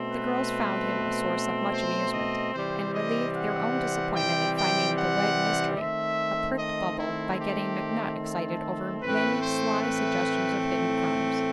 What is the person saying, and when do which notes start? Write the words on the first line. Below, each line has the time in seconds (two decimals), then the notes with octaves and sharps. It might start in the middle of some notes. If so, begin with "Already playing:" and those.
The girls found him a source of much amusement, and relieved their own disappointment at finding the "Wegg Mystery" a pricked bubble by getting McNutt excited over many sly suggestions of hidden crimes.
Already playing: B2 A3 C4
0.11 B4
1.72 C5
2.12 D#5
2.54 C3 E3 G3 C4 C5
2.94 D#5
3.34 F#5
4.15 G5
4.57 G5
4.96 F#5
5.78 D#3 A3 C4 E5
6.59 D#5
6.99 E4
7.41 G4
8.21 A4
9.02 A2 E3 A3 C4 B4
9.42 C5
9.83 B4